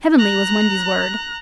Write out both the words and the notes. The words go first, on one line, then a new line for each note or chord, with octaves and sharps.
Heavenly was Wendy's word.
A#5 F#6